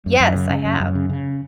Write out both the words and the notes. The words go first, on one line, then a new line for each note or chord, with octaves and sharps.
Yes, I have.
F#2
F#2
C#3
C#3
F#2
F#2
C#3
C#3